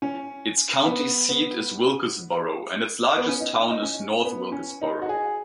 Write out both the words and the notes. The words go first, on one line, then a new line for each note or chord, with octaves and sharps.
Its county seat is Wilkesboro, and its largest town is North Wilkesboro.
C#4
B3
B3
B3
C#4
D#4
D#4
C#4
B3
C#4
D#4
F#4
G#4